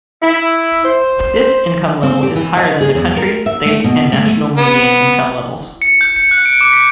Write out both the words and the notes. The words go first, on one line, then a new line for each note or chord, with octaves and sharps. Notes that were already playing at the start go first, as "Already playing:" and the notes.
This income level is higher than the county, state, and national median income levels.
E4
C5
C4
G4
E3
D#5
G#4
E2
A#4
E5
A3
B2
A3
A3
B3
C#7
G6
C#7
F#6
D7
D6
B6